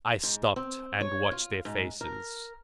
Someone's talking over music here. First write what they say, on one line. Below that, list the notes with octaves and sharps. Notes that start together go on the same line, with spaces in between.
I stopped and watched their faces.
G#2
C4
C#5
F4
G#2
A#4